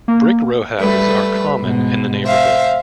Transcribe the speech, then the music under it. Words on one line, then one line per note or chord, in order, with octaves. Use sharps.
Brick rowhouses are common in the neighborhood.
A#3
G3 A3 B4
G#2 B2
C5 E5 F5